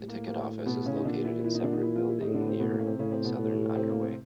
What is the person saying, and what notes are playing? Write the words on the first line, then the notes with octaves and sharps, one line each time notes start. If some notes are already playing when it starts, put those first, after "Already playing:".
The ticket office is located in separate building near southern underway.
Already playing: A2
A#3
A#3
B2 B3
C#3 C#4
D#4
A#2 D3 D4
E3 E4
E3 E4
D#3 D#4
D3 D4
D#3 D#4
E3 E4
F3 F4
E3 E4
A2 D#3 D#4
D3 D4
B3
C3 C4
B2 B3
A#3
C#4
C3 C4
A2 C#3 C#4
C3 C4
B2 B3
A2
C3 C4
A#3
C3 C4